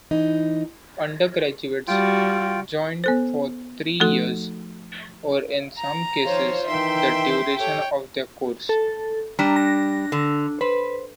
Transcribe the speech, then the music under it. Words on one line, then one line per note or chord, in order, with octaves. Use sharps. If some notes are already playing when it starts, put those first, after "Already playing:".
Undergraduates join for three years, or in some cases the duration of their course.
E3 D#4
G3 F4 F#4 G5
B3 A4 C5
F3 A3 D#4 F#4 A4
A#5
D#3 F3 F4 C5 C#5
D#3 E3 D#4 E5 G5 C6
G4 A4 C#5 G5
A4
G3 D4 A#5
A#6
D3
B4 C5